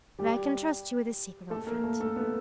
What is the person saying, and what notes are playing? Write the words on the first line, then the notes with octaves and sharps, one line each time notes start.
But I can trust you with a secret, old friend!
G3 G4
A3 A4
A#3 A#4
A3 A4
A3 A4
B3 B4